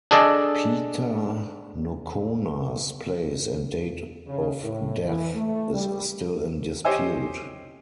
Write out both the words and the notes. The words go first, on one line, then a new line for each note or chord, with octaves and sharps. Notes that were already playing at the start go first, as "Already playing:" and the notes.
Peta Nocona's place and date of death is still in dispute.
D4 G#4 A4 D5 D#5
C#3
A2
E3
A3
G3
G4 C5 C#5 D#5 G#5 E6